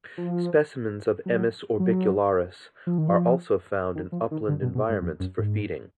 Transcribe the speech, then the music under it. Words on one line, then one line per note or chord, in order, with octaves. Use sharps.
Specimens of "Emys orbicularis" are also found in upland environments for feeding.
F3
F#3
F#3
F3
D#3
F3
D#3
F3
D#3
D3
B2
B2
G#2
F2
F#2
G#2